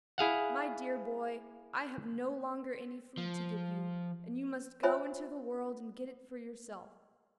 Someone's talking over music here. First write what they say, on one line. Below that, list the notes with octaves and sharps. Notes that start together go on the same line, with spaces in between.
'My dear boy, I have no longer any food to give you, and you must go into the world and get it for yourself.
E4 G#4 F5 F#5
F3
F4 C5 C#5 E5 G#5 B5